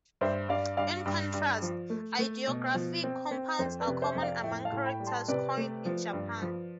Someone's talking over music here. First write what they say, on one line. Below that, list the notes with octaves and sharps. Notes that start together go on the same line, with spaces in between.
In contrast, ideographic compounds are common among characters coined in Japan.
G2 C5 E5
G2 D5 F5
G2 D5 F5
G2
G2
F3
A3
A3
B2
F3
C4
C4
F2 C5
B4 D5
C3
C5 E5
F2
D5 F5
A2 E5 G5
F5 A5
A2
G5 B5
G3
A5 C6
C3 B4 D5
A3
F3
G2
F3